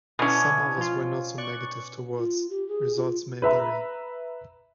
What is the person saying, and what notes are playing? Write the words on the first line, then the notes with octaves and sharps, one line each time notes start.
Some others were not so negative towards "Results May Vary".
B2 C#4 D4 E4 G#5
F3 F4
D5 C#6 F#6
F4
G4
G#4
F4
B4 E5 A#5 B5